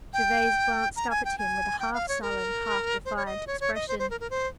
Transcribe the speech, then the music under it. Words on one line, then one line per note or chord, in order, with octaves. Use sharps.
Gervase glanced up at him with a half-sullen, half-defiant expression.
G5
A#5
G#5
G5
G#5
G5
F5
C#5
A#4
C5
C#5
D#5
C#5
C#5
D#5
C5
C5
A#4
A#4
C5